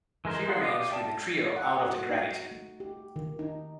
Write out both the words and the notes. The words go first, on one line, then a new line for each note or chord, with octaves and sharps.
He remains with the trio out of gratitude.
E3 G#3 A#4 C5
G#3 B3 F4 F#5 C6
G4 D5 F5 D6 D#6
D5 E5 G5 A5
F#5
F#4
D#4
A3
G4
D#3
D#4